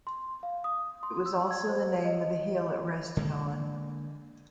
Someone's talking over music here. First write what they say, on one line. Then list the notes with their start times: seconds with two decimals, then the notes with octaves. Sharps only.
It was also the name of the hill it rested on.
0.07 C6
0.43 F5
0.64 D#6
1.03 C6
1.26 E6
1.51 G#6
1.68 C5
2.05 D#5
3.17 D3 G#3 A#3